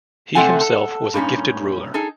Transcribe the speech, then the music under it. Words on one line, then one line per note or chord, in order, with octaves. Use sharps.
He himself was a gifted ruler.
C3 A3 C4 A4 F#5 G#5
A4
G2 A#2 C#4 D#4
D#4 G#4 A4